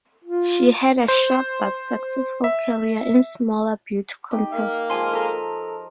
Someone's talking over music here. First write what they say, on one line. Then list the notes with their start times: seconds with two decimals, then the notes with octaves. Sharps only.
She had a short but successful career in smaller beauty contests.
0.25 F4
1.08 C5
2.44 E5
4.31 D#4 G4 D#5
4.53 A#3 F5
4.90 F3 G#3 G#5 C6
5.13 A4 A#4 A#5